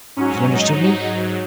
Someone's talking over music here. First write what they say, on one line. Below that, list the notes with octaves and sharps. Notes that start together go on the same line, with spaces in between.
"Have you understood me?"
G#2 F#3 C#4
D#4